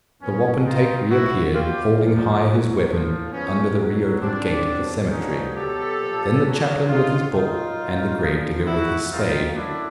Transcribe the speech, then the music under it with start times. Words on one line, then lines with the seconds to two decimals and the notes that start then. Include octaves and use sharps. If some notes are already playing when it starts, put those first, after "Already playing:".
The wapentake reappeared, holding high his weapon, under the reopened gate of the cemetery; then the chaplain with his book, and the gravedigger with his spade.
0.20 F#2 C#3 F3 B3 C#4
0.65 G#2 D#3 F#3 D#4 F4
1.10 A#2 F#3 E4 F#4
1.54 B2 F#3 F4 G4
1.99 A#2 F3
2.43 B2 F#3
2.87 A2 F3
3.32 G#2 F3 B3 C#4
3.77 B2 F#3
4.21 A#2 F3 C4 D4
4.65 B2 F#3
5.10 G2 D3 F3 C#4 D#4
5.55 B2 F#3 G4 A4
6.00 A#2 F3
6.44 F#2 C#3 F#3
6.89 A#2 F#3 D#4 F4
7.33 A#2 F#3 D#4 F4
7.78 A#2 F#3
8.22 A#2 F3
8.66 G#2 F3 E4 F#4
9.11 F#2 D#3 F#3 D#4 F4
9.56 F#2 D3 F#3 D4 E4